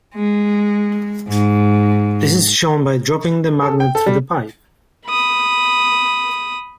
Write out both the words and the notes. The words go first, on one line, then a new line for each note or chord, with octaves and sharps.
This is shown by dropping the magnet through the pipe.
G#3
G#2
A4
G5
A4
G3
B5 D#6